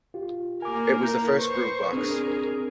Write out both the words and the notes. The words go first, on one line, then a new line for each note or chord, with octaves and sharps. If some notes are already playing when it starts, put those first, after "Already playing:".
It was the first groovebox.
F4 G4
A#3 A#4 G#5 D6
E4 A#5 G6
B4 C5 C#6
C4 D4 G#4 A#4